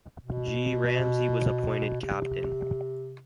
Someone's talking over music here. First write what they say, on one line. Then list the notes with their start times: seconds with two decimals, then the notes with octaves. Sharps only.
G. Ramsay was appointed captain.
0.23 B2
2.01 C3